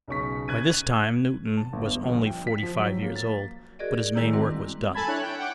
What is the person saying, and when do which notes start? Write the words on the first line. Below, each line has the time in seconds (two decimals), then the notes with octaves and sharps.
By this time Newton was only forty-five years old, but his main work was done.
0.08 B1 C#3 C#6 B6
0.48 F#6 G#6 D#7
1.57 A5
1.73 G1
1.87 B3
2.03 A#1
2.26 G5
2.47 B6
2.63 F3
2.79 F#3
3.02 A#3
3.16 A6
3.79 F#4 G#4 A#4 D5 D#5
4.15 D#3 G#3 A#3 E4 A#5 G6
4.33 G3 C4 D4 F#4
4.94 A4 G#5 A5 B5 G#6
5.07 D4 E4 C#5 F#6
5.21 G5
5.38 F#5 G5 D6